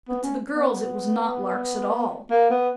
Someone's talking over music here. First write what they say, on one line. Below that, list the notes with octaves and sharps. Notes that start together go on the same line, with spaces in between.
But to the girls it was not larks at all.
B3
C#4
B3
A#3
B3